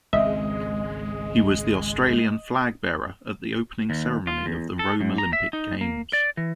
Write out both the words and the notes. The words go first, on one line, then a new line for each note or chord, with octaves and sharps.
He was the Australian flag-bearer at the opening ceremony of the Rome Olympic Games.
G#1 C#2 G#3 C4 D#5 E5
D#2
F4
E2
A4
F#2
A#5
E5
D#4
A#3
D5
E3